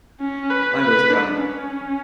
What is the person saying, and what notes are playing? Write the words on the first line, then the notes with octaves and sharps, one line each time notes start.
I was dumb.
C#4
B4
B4
D4
C#4